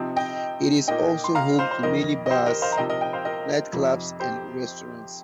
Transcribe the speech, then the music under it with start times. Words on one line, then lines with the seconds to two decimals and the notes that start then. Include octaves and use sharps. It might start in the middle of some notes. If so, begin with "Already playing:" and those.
It is also home to many bars, nightclubs and restaurants.
Already playing: C3 F3 C4 D#4
0.16 D#5 G5
0.88 A#2 A#3 D#4 D#5 G5
1.24 C6
1.35 F5 A#5
1.59 C5 F5
1.71 C5
1.83 F2 D#3 A#3 A#4 D#5
2.26 D#5
2.31 G4 C5
2.46 A#4 D#5
2.62 C5 F5
2.72 A#5
2.77 C3 F3 A#3 D#4 D#5 G5
2.90 A#4 D#5
3.01 D#5 G5
3.13 C5 F5
3.25 A#4 D#5
3.73 F2 C3 F3 D#4
4.20 G4 C5